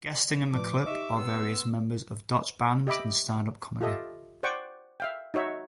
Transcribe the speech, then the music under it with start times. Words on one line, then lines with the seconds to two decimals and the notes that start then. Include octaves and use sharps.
Guesting in the clip are various members of Dutch bands and standup comedy.
0.53 A2 F3 B4 D5 A5 D6
0.86 D#4 G4 D#5 E5 C#6 D#6
1.17 B3 C6 E6
2.87 G4 D#5 E5 B5 D6
3.81 F4 G4 A4 D#5 E5
4.43 C5 D5 F#5 G5 C#6 D6
5.00 E5 F5 G5
5.34 D#4 F#4 C#5 E5